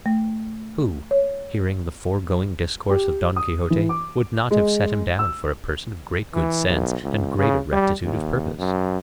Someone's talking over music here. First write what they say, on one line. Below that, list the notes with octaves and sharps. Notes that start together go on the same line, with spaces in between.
Who, hearing the foregoing discourse of Don Quixote, would not have set him down for a person of great good sense and greater rectitude of purpose?
A3
C#5
G4
D#6
E3
D6
G#3
E6
E3
B1
C#2
C#3
G3
D#2
F#2